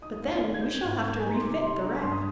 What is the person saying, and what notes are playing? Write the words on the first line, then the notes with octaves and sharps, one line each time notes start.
"But then we shall have to refit the raft."
D#4 D#6
D#2
D#3
G#6
D#4 G6
G#2 G#6
D#3 G6
D#4 G#5
A#5
C6
C3 D6
G3 C6
D4 A#5
G2 C6
D#6